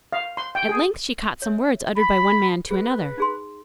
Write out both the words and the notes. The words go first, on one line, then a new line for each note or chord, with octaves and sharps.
At length she caught some words uttered by one man to another.
F5
C6
G5
G#4
C#5 E5
B5
G#4 B4
D#4 G#4 C6